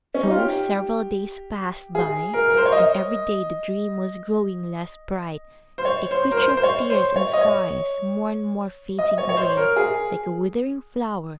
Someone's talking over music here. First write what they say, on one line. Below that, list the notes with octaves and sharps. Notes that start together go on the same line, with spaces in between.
So several days passed by, and every day the dream was growing less bright, a creature of tears and sighs, more and more fading away, like a withering flower.
C#4
D#4
F4
G4
G#4
A#4
A#4
C5
C#5
D#5
C5
C#5
C5
A#4
C5
C5
C#5
C5
C#5
D#5
C#5
D#5
C#5
C#5
C5
A#4
G#4